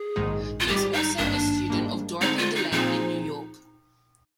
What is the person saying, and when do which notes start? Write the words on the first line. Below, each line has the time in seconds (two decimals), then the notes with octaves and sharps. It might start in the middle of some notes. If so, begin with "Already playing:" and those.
He was also a student of Dorothy DeLay in New York.
Already playing: G#4
0.16 A#1 G#2 D#3 G#3 D#4
0.60 F4
0.67 G#1 G#2 G3 G4
0.93 D#4
1.18 G#1 G2 D#3 A#3 D4
1.70 G#2 G3 A#3
2.21 D3 G#3 C4 D#4
2.38 F4
2.55 D#4
2.72 A#2 F3 C4 D#4 F4 G#4